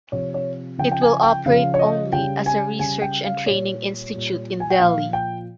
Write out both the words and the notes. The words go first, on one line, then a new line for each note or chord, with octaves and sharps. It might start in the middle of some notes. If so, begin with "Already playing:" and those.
It will operate only as a research and training institute in Delhi.
C3 F3 C#5
C#5
C#3 F3 G5
G5
G#5
G5
C#3 F3 F5
C#5
D#5
C#3 G3 G5
G#5
C#3 G3 G#5
G5
F5
A#2 G3 C#5
A#2 G3
G#5
G5
A#2 F3 F5
G5